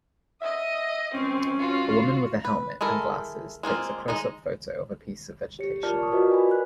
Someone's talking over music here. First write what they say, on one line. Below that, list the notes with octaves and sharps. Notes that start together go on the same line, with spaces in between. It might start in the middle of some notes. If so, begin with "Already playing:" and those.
A woman with a helmet and glasses takes a closeup photo of a piece of vegetation.
D#5 E5 D#6
C4 C#4
F4 F#4
B4
G#3 E4 A4 A#4
G#3 A#3 C4 F4
G#3 D#4 D#5
G4 C#5 C#7
F4 A#4 D5 A5 F6 G6
C#6 D#6
F4 F#4 A#4 B4 C#5 D#5
D5 G#5 B5
A#4 B4 F#6